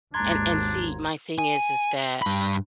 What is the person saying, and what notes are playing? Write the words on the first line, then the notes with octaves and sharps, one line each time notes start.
and and see my thing is is that
G#1 D#2 G#2 D4 A#5 C6 G#6
G#5
G2 B5